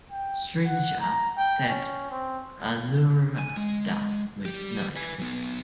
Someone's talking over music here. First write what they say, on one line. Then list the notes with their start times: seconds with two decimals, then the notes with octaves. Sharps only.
Sreeja stabbed Anuradha with knife.
0.11 G5
0.65 F#5
1.00 A#5
1.37 G5
1.69 C#4
2.11 C4
3.39 G#5
3.57 G#3
4.45 G3 G4
4.96 B4 G#5
5.19 F#3 B3